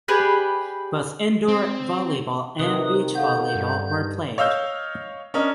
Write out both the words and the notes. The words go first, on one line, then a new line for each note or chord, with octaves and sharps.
Both indoor volleyball and beach volleyball were played.
G4 G#4 B4 D5
C4
C3 D#3 B4 D#6
A4 F5 F#5 G6
G2
C#5 D#5 F5 E6 F6 G6
C#4 D4 A#4 D#5